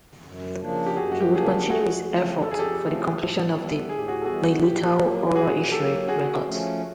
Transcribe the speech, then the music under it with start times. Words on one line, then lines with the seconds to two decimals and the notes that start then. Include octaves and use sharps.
He would continue his efforts for the completion of the "Meilitao Oral History Records".
0.23 F#2
0.60 C#3 F3 A#3 D4
0.86 G4
0.96 F#2 F#4 G#4
1.12 F#4
1.21 G4
1.33 C#3 F3 A#3 D4 G#4
1.45 G4
1.69 F2 F#4 G#4
2.06 C#3 F3 A3 C4
2.43 F2 A4
2.51 G#4
2.59 G4 A4
2.79 C#3 F3 A3 C4
3.16 A2
3.53 E3 G3 B3
3.89 A2 G#4
3.99 G4
4.08 F#4 G#4
4.21 A4
4.25 E3 G3 B3 F#4 G#4
4.62 A#2 G4
4.99 F#3 A#3 G4
5.35 A#2 F#4 G#4
5.72 F#3 A#3 G4 A4
6.08 D3 F#4 G#4
6.46 F3 A3 C#4